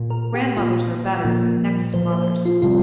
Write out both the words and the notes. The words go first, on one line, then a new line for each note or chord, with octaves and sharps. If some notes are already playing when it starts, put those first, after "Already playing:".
Grandmothers are better, next to mothers.
Already playing: A#2 A#3
A#4
G4
A#2 A#3 F4
A#2 F3 A#3
A#2 F3 A#3 C5
C5
F4
C3 G3 C4 F4